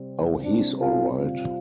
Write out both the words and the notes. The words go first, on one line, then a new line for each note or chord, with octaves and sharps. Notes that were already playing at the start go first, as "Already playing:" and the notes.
Oh, he's all right.
Already playing: C3 G3 C4
D4
F4
F4